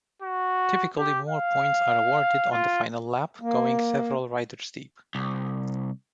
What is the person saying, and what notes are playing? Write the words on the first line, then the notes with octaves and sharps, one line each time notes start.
Typically more points are awarded on the final lap, going several riders deep.
F#4
G4
F5
F4
A#3
C2